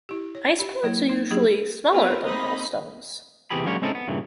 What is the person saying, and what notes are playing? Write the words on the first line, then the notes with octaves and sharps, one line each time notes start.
Ice pellets are usually smaller than hailstones.
E4 G4
C#5
G4 B5
F#3 A#3 E4 C#5
A#3 D#4
F#3 A#3 D4 E4 G4 G#4
B3 C4 F4 A#4 B4
A#3 C4 D#4 D#5 B5
E2 C3 E3 G4 G#4 B5
F#3 G#3 A#3 C#4 D4 C#5
G#3 C4 C#4 D#4 E4 A4
B3
G2 A#2 C#3 E3